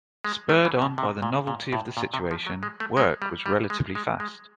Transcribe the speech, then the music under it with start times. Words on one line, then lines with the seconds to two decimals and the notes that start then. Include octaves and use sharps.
Spurred on by the novelty of the situation, work was relatively fast.
0.25 G#3
0.49 A3
0.65 E3
0.82 B2
0.98 C3
1.22 A#2
1.47 A#2
1.73 A2
1.97 A#2
2.14 C3
2.31 F3
2.47 F#3
2.63 G#3
2.80 A3
2.97 G#3
3.22 G3
3.46 G3
3.70 G#3
3.95 G#3
4.20 G#3